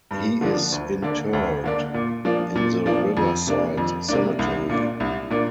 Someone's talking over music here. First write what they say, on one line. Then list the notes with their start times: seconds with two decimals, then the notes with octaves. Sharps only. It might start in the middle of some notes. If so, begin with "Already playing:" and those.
He is interred in the Riverside Cemetery.
0.11 G2
0.41 D3 F3 A#3 D4
0.72 D2
1.02 D3 A#3 D4
1.33 D2
1.64 D3 A#3 D4
1.94 A#2
2.25 F3 A#3 D4
2.55 A#2
2.86 F3 A#3 D4
3.17 F2
3.47 C3 A#3 D4
3.78 F2
4.09 C3 A#3 D4
4.39 C2
4.69 A#2 A#3 D4
5.00 C2
5.30 A#2 A#3 D4